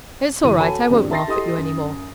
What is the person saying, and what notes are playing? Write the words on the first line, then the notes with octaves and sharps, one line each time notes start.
It's all right; I won't laugh at you any more.
G1 E3 D#7
F#4 A4 C#5 G#5 A5 B5
G#1 F2 D4 G4
E5 A5 C6 A6 A#6 C7
E4 G4 A4 D#5 C6 D#6
F#2